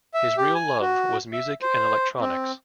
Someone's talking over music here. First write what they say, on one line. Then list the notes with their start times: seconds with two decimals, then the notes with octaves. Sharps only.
His real love was music and electronics.
0.14 E5
0.37 G4
0.55 G#5
0.81 F#4
1.33 E5
1.62 C5
2.20 C4